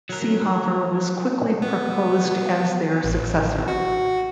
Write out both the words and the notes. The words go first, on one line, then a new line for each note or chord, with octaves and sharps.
Seehofer was quickly proposed as their successor.
F#3 A#4
B3
A1
F#4